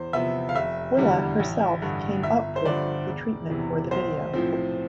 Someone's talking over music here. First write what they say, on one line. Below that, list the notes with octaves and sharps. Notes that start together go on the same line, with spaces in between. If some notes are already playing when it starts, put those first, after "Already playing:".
Willa herself came up with the treatment for the video.
Already playing: E2 C5
C3 F3 B3 E5
F5
F1 E5
E2 D3 G3
A1
G2 D3
G1 E5
C5
G2 D3 F3 D5
E1
E2 C3 E3
B1 C5
A2 F3 C4